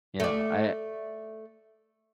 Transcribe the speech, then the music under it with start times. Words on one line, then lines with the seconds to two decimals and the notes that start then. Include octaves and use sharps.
Yeah. I
0.20 A3 D5